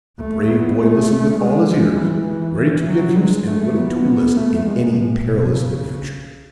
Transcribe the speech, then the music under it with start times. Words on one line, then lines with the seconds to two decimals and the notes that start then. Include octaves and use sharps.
The brave boy listened with all his ears, ready to be of use, and willing to enlist in any perilous adventure.
0.20 A3
0.49 B3
0.79 A3
1.39 G#3
1.98 E3
2.28 E3
2.87 F#3
3.17 G#3
3.47 A3
3.77 B3
4.36 A3
4.66 G#3
4.96 A2
5.26 B2
5.55 C#3